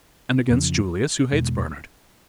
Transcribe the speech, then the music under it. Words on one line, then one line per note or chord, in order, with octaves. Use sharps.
And against Julius, who hates Bernard.
F2 C#3 F3
E2 B2 G#3